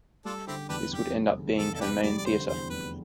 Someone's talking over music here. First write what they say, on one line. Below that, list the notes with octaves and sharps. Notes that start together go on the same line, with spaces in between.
This would end up being her main theatre.
G3 D4 F4 A4
D3 C4 E4 G4
E2 D4 G4 B4
F1 G4
G3
D3
E2 A4
A4
F1 D4 G4 B4
G3 D5
D5
D3 C5
E2 C5
F1 B4